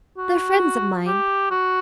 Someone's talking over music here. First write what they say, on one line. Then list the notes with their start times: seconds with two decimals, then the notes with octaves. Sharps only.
They're friends of mine.
0.17 F#4
1.07 G4
1.51 F#4